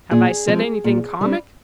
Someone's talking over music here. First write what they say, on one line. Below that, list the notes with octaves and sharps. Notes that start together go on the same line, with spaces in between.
"Have I said anything comic?"
A#2 G#4
F3 G#3 C4
A#2
G3 D4